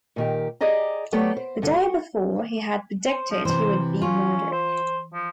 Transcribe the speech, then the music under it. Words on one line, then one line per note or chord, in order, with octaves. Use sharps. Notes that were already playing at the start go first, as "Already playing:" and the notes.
The day before, he had predicted he would be murdered.
A#2 D#3 G4
G4 G#4 D5 D#5 A#5
F#3 A3 B3 G4 D5
C5
G2 D3
F#4
C5
F3
C3 E3 C5
C#4 F4
C5
F3